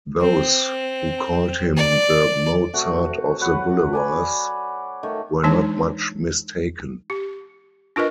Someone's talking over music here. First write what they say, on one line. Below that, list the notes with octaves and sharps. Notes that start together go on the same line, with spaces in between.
Those who called him 'The Mozart of the Boulevards' were not much mistaken.
C4
D5
C3 A3 F#4
F#3 B4 F#5
D5 G#5 B5
D#3 A3
E3 G#3 D4 D#4 C#5 A5
G4
D4 F4 A#4 B4 D#5